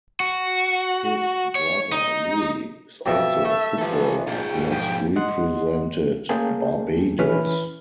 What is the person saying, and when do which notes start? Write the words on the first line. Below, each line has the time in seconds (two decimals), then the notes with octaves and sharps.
His brother Louie is also a footballer, who has represented Barbados.
0.20 F#4
1.55 C#5
1.92 D#4
3.06 F2 B2 E5
3.45 A3
3.78 E3 F3 G4 A4
4.27 G#2 F4 G#4 G5
4.70 B2 F3 G5
5.16 D#5 F#5 C6
6.29 A3 A#3 C#4 G#4 G5 A5
7.19 E3 C#4 B4 B5 F6